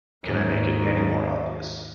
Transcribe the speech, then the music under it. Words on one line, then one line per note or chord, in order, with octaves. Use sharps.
Can I make it any more obvious?
D#2 G#2